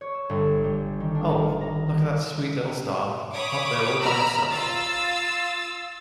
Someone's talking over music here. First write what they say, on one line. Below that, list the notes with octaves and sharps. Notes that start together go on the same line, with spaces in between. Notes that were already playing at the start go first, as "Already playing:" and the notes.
Oh, look at that sweet little star up there all by itself.
C#5
E6
G1
G3
D#3
D4
D#3
A#5
C#5 B5 D6 D#6
A#5 B5 E6 F6
F4 E6 A6